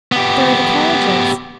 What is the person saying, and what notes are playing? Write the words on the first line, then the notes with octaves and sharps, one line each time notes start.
'There are the carriages.'
B3 G4